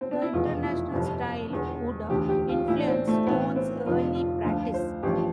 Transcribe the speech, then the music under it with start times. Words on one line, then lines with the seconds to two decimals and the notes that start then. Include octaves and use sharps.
The International Style would influence Stone's early practice.
0.01 C4
0.11 D4
0.22 E4
0.33 F1 E2 B2 F4
0.63 E4
0.92 G1 F2 C3
1.50 E1 E2 D3
2.09 E1 D2 D3 G4
2.29 G4
2.49 F4
2.68 B1 A2 E3 E4
2.78 D4
2.88 C4
3.08 A3
3.27 B1 A2 E3 B3
3.56 C4
3.86 F1 F2 D3 F4
4.15 F4
4.44 D2 D3 F3 F4
4.74 C5
5.03 A1 G2 F3 G4